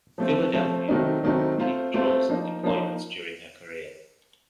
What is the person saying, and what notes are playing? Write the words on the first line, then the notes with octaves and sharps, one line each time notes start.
"Philadelphia" performed many patrols and deployments during her career.
F3 A3 C4
F3 A3 C4
D#3 F#3 A3 C4 D#4
D#3 F#3 A3 C4 D#4
A3 C4 F4 C5
A3 C4 F4 C5
F3 A#3 D#4
F3 A#3 D#4